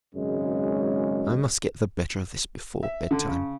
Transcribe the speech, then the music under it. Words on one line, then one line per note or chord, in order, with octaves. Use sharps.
I must get the better of this before bed-time.
G#1 F#2 C#3 G#3
E5
D3
C#3